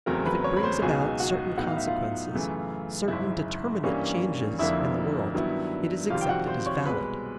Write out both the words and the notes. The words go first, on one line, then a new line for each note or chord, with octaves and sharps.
If it brings about certain consequences, certain determinate changes, in the world, it is accepted as valid.
E2 C#3 F#3 A3 C4 A#4 A#5
B4 B5
C#5 C#6
B5
C5 C6
C#2 B2 F#3 B3 D#4 G#4 G#5
F#4 F#5
A2 F#3 B3 D#4 F#5
F5
E5
F4 F5
F#2 C#3 E3 A3
G#1 F#2 C#3 E4 E5
G2 E3 G3 A#3 C#4
F1 F2 D3 F3 A#3 E4 E5
G2 D#3 F#3 B3 E4
F2 C3 D#3 G3 C4 F4 F5
G5
F#4 F#5
C5 C6
C#5 C#6
C2 B2 G#3 B4 B5